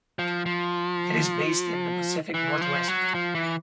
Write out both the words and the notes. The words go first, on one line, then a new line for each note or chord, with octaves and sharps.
It is based in the Pacific Northwest.
F3
F3
E3
F3
F#3
F3
E3